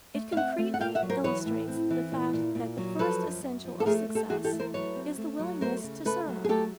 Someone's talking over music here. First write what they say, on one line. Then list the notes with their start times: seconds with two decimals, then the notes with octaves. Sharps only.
It concretely illustrates the fact that the first essential of success is the willingness to serve.
0.14 A3
0.32 F5
0.36 C4 E5 F#5
0.58 A3
0.74 F#5
0.80 A#2 F5 G5
0.95 E5 F#5
1.02 F#3
1.10 A#4 C5
1.24 E3 B4 C#5
1.45 A2
1.68 C4
1.90 E3
2.11 A#2
2.33 A#2
2.55 A#2
2.77 F#3
2.99 F3 A4 B4
3.21 F#2
3.43 F#2
3.65 F3
3.80 A4
3.86 A3 G#4 A#4
4.09 A3
4.15 G4 A4
4.30 E3 F#4 G#4
4.44 G4 A4
4.53 A3
4.60 A#4 C5
4.74 F#3 B4 C#5
4.96 C4
5.17 A3
5.39 F#3
5.61 A3 A#4 C5
5.84 C#3
6.05 A3 A4 B4
6.28 F#3
6.44 G#4
6.49 A3 G4 A4